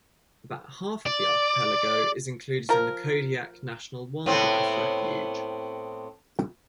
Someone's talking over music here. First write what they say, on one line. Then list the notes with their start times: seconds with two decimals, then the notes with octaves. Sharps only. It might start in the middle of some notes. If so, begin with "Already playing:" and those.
About half of the archipelago is included in the Kodiak National Wildlife Refuge.
1.06 D5
2.69 F3 A#4
4.26 A2 B3 C4